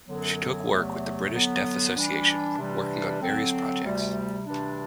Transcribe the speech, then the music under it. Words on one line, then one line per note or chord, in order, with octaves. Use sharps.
She took work with the British Deaf Association, working on various projects.
F#2 D3 F#3 B3
E2 C3 F#3 A3
D3 F#3 B3
E3 G3 D4
C3 E3 G3 D4
D3 F#3 C4
D2 C3 G3
D2 C3 E3 G3 D4